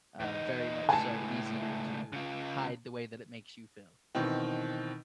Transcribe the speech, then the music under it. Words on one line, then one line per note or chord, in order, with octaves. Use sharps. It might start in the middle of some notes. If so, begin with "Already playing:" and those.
uh, very much so easier to hide the way that it makes you feel.
E2 D#4
C#2 A2 G#5 A5
C#3 F4
B2 D#3 E3 C4